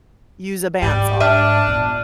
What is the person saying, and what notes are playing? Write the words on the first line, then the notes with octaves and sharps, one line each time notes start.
use a band saw
G#2 G3
D4 E5 F6 D#7
A#2 B3